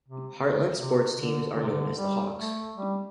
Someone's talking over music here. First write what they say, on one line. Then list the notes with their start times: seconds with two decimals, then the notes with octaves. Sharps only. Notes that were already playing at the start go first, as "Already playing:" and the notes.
Heartland's sports teams are known as the Hawks.
0.08 C3
0.35 D3
0.75 C3
1.15 D3
1.55 D3
1.62 C3
1.69 D3
1.96 G3
2.35 A3
2.76 G3